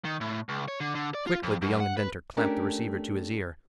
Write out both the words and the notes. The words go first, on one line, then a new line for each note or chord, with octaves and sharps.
Quickly the young inventor clamped the receiver to his ear.
D#3
A2
C#2
C#5
D3
D3
D5
F4
F2
F#2
F#5
B4
A3 C#4 D4 G4 A#4